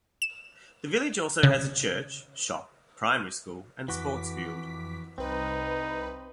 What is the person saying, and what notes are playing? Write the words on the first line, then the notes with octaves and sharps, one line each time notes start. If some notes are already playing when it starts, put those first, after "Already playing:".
The village also has a church, shop, primary school, and sports field.
E7
C#3
F2 E3 F#4 D6 B6
C2 C4 D#4 B4